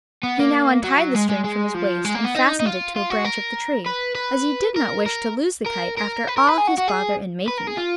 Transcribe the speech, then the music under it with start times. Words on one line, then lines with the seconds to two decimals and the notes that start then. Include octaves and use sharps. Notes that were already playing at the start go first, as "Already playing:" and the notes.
He now untied the string from his waist and fastened it to a branch of the tree, as he did not wish to lose the kite after all his bother in making it.
0.23 B3
0.39 A#3
0.84 F#3
1.15 G#3
1.29 G#3
1.44 G#3
1.74 F3
2.05 G#3
2.15 A#3
2.25 B3
2.35 D#4
2.60 D#4
2.65 F4
2.96 F4
3.10 F#4
3.25 A#4
3.86 B4
4.15 B4
4.76 A#4
5.06 A#4
5.66 A#4
5.97 A#4
6.28 B4
6.37 A#4
6.47 B4
6.58 G#4
6.67 F#4
6.78 F#4
6.88 G#4
7.48 B4
7.58 A#4
7.68 G#4
7.78 F4